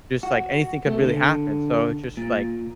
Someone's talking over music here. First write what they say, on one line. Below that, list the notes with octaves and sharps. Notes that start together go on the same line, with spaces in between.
just, like, anything could really happen so it's just, like,
F#4
A3
D3
A#2